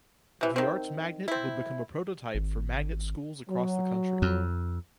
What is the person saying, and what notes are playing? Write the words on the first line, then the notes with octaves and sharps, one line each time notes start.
The Arts Magnet would become a prototype for magnet schools across the country.
C3 E3
D#3 C4
C4 E4
G#1
F#3
F2